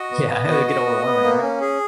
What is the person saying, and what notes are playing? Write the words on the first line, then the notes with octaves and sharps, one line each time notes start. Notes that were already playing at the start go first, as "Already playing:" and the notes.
Yeah, it would get overwhelming, right?
Already playing: F#4 D#5
B3
B3
F#4
F#4
B3
B3
A#3
C#4
G#4